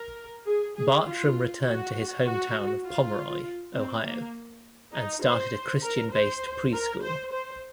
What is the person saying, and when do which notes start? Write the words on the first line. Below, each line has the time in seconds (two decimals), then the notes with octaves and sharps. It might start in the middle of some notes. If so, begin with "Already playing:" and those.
Bartrum returned to his home town of Pomeroy, Ohio and started a Christian-based pre-school.
Already playing: A#4
0.46 G#4
0.76 G#4
1.05 F4
1.65 F#4
2.25 F#4
2.84 F4
3.75 C4
4.04 A#3
4.93 D#4
5.23 C5
5.83 A#4
6.13 C5
6.73 A#4
7.02 C5
7.32 C5